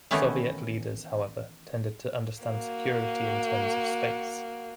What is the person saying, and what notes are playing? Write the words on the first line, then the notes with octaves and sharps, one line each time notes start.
Soviet leaders, however, tended to understand security in terms of space.
D#3 E3 A3 B3 C#4 E4
A#3 F#4